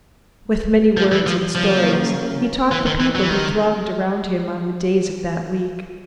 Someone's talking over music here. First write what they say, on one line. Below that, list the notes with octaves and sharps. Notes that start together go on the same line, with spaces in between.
With many words and stories he taught the people who thronged around him on the days of that week.
F3
E3
F3
C#3 F3 F#3 A#3
E3
D#3
E3
F#3
E3
D#3